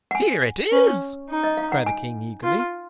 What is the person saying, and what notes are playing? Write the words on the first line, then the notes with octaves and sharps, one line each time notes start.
"Here it is," cried the King eagerly.
F#5
G#5
C#4
D#4
D#5
F5
F#5
G#5
F4